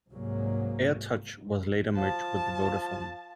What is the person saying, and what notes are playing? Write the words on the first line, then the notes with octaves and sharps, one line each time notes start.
AirTouch was later merged with Vodafone.
C2 G#2 F#3 A#3
F3 A5